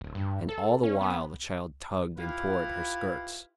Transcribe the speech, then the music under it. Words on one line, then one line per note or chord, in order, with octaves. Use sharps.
And all the while the child tugged and tore at her skirts.
D1
G2
A4
C#4
B3
E4 F4 G4 B4 F5